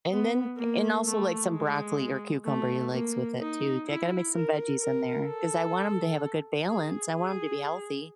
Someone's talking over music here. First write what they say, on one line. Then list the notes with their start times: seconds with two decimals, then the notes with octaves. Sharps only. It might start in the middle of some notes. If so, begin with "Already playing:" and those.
And then and also like some broccoli or cucumber he likes with it too. J I gotta make some veggies in there ‘cause I want him to have a good balance. I want him to be healthy.
0.10 B3
0.57 A#3
1.05 A3
1.51 G#3
2.45 A3
2.92 A#3
3.40 D#4
3.87 E4
4.34 A#4
4.80 A#4
5.27 A4
6.68 G#4
7.15 G#4